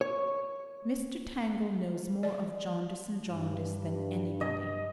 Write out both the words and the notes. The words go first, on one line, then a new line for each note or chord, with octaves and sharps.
Mr. Tangle knows more of Jarndyce and Jarndyce than anybody.
C#5
D5
G2
D#5